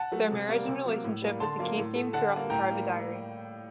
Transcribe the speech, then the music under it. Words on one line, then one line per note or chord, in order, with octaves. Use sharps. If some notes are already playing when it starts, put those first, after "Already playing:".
Their marriage and relationship is a key theme throughout the private diary.
Already playing: F#5 A5
F#3 A3
C3
G3 A#3
C3
F#3 A#3
A2
G3 A#3
D3 A5 C6
F#3 A#3
A2
A3
D3 F#5 A5
G3 A#3
A2 G5 A#5
G3 A#3